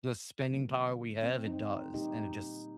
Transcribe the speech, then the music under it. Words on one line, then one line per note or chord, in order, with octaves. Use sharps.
the spending power we have, it does, and it just
D3 F#3 A#3
C4
C4 D#4
A#2 G3 A#3 D#4 G4